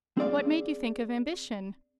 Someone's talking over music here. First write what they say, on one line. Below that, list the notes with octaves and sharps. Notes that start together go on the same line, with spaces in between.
What made you think of ambition?
C4 G#4 D5 F5